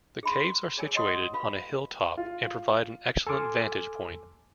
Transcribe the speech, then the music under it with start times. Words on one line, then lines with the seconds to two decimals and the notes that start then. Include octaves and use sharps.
The caves are situated on a hilltop and provide an excellent vantage point.
0.23 G#4 E5 B5 C6
0.77 G#4 C#5 G5 G#5 E6
0.94 C#5 D#5 F#5 C6 D#6
1.33 F#4 B4 F5 B5
2.17 F4
3.27 A4 G#5 A5 C6 D6 F6